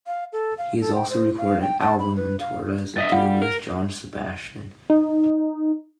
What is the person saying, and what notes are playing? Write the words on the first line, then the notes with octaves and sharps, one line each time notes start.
He has also recorded an album and toured as a duo with John Sebastian.
F5
A4
F5
A4
G5
C5
F5
G5
A5
B5
B4
F5
G2 D#5 E5 A6
G3 F5 F#5
A#4
D#4